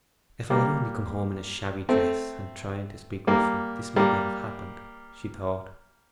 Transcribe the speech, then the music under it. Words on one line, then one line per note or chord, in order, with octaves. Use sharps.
"If I had only come home in a shabby dress, and tried to speak roughly, this might not have happened," she thought.
G3 A#3
A3 C4
G3 A#3
G3 A#3